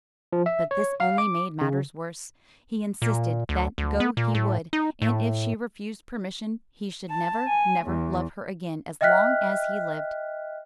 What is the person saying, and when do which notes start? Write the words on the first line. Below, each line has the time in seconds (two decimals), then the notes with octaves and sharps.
But this only made matters worse: he insisted that go he would, and if she refused permission he should never, never love her again as long as he lived.
0.33 F3
0.46 E5
0.71 C#5
1.00 F5
1.18 D6
1.61 C#3
3.02 A#2
3.49 D2
3.78 D2
4.00 B3
4.17 A#2
4.35 A2
4.73 D#4
5.02 A2
7.10 A5
7.48 G#5
7.84 E2
9.01 D#5 E5 G5 F6 F#6 B6